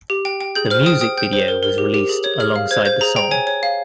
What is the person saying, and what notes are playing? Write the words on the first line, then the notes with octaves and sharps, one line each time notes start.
The music video was released alongside the song.
G4
G5
G5
G#4 G6
C5 F6
G5 D#6
G5 D#6
G5 G6
C5
A#4
A#4
G4
G4
G#4
C#5
G#4 F6
F5
C5 G#6
C5 G6
G#4 A#5
G5 A#5
C#5 G#5
C#5
F5